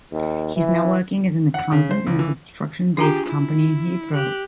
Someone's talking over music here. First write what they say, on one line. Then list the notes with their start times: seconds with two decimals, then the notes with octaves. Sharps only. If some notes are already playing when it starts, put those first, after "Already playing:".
He is now working as an accountant in a construction based company in Heathrow.
0.12 D#2
0.56 E3
1.54 F#5
1.72 C#3
1.91 C5
2.07 C#2
2.19 E3
2.97 D4 F4 G4 G#4 A#5
3.26 E4
4.14 G4 F#6